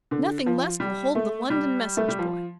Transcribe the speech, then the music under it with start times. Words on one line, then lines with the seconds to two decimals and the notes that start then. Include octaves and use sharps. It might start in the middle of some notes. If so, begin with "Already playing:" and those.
Nothing less will hold the London message-boy.
0.11 D3
0.46 F3
0.80 G3
1.15 A3
1.50 G3
1.97 A3
2.08 G3
2.19 F3